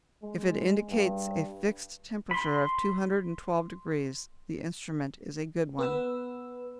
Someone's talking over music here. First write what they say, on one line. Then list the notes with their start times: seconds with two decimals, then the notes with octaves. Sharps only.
If it indicates a fixed temperature of two hundred and twelve degrees, the instrument is a good one.
0.23 G#3
0.89 G2
2.31 B5 C6
5.79 B3 B4 E6